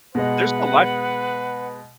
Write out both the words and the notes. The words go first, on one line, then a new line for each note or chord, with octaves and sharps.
there's no lifeguard.
B2 G#3 B4 D#5 F#5